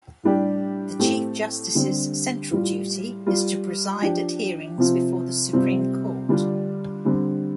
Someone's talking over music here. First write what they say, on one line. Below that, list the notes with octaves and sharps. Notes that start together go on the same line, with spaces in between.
The Chief Justice's central duty is to preside at hearings before the Supreme Court.
A2 G3 D4 G4
A2 A3 C4 G4
D3 G3 C4 G4
A2 G3 F4
G3 F4
F3 D4 G4
C3 F3 C4 F4
C3 G3 C4 F4
D3 G3 D4 F4
D3 G3 C4